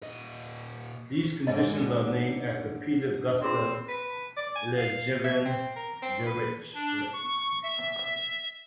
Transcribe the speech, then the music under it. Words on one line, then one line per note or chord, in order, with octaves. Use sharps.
These conditions are named after Peter Gustav Lejeune Dirichlet.
A#2 D#5
D#2 G#2 D3 D#5
C4 F4 G#4 D5
B4
D5
G#5
F5
E5
C4
A#4
C4
B4
D4
C#6
E5